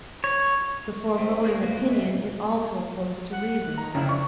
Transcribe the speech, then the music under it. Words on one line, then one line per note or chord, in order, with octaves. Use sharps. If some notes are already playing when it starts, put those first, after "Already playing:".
The foregoing opinion is also opposed to reason.
C#5
A3 C4 D#4
A#3 D4 G#4
D2 A#3 B3 F#4
B2 E3
F#5
D#3 A#5
F2 C#3 E4
D4 C#6